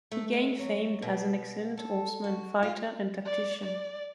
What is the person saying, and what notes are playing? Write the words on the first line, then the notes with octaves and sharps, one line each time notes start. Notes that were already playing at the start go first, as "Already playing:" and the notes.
He gained fame as an excellent horseman, fighter, and tactician.
A3
G#3
F#3
B2
A4
F#4
F4
D5
D5